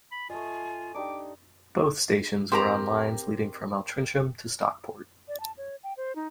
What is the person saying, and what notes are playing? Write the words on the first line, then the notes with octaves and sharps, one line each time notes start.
Both stations were on lines leading from Altrincham to Stockport.
B5
A3 F4 D#5 G#5
D4 D#4 G4 D6
C4 G4 A#4 A5 A#5
D5
A5
C#5
G5
C5
D#4